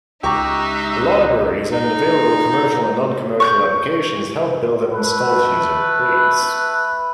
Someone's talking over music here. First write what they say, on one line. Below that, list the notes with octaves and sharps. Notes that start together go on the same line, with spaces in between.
Libraries and available commercial and non-commercial applications help build an installed user base.
C#2 D#4 G4 E5 A#5 C#6 D6 F#6
D#4
C#6 F#6 G6
A3 B4